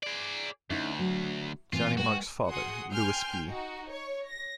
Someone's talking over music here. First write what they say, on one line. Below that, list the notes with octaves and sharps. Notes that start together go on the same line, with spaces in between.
Johnny Marks's father, Louis B.
G#4 D5
D2 C#4 D#4 E4
F#3
A2 E3 C4 F4
G#3 F#4 B4 G5
F#4 G#4 F#5 C6 D#6
G5 G#5 C6 F6 G6
D#4 F#4
C#5 C#6
A#6